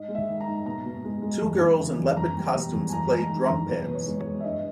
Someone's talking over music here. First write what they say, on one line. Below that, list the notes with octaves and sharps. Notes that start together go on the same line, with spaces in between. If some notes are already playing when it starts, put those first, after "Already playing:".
Two girls in leopard costumes play drum pads.
Already playing: G#2 D#5
G#3
E5
D#3
A#5
G#2
B2 A#5
B2
G#3
G#3
E2
E3
C#3
E2
E2 A#5
G3
B2
E2
G#5
E2 A#5
G#3
A#5
D#3
A#5
E2
B2 B4
B2
C#5
G#3
C#5
G#3
E5
G2 D#5